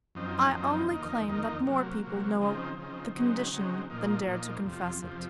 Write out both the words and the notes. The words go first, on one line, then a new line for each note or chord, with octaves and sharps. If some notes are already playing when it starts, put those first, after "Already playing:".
I only claim that more people know the condition than dare to confess it.
F#2 F3 C4 D#4
F#2 F3 C4 D#4
F2 D#3 A#3 D#4
F2 D#3 A#3 D#4
C3 F#3 A#3
C3 F#3 A#3
C#3 F3 C4 D#4
C#3 F3 C4 D#4
C#3 F#3 C4 D#4
C#3 F#3 C4 D#4
A#2 F3 A#3 D#4
A#2 F3 A#3 D#4
F2 C3 F3
F2 C3 F3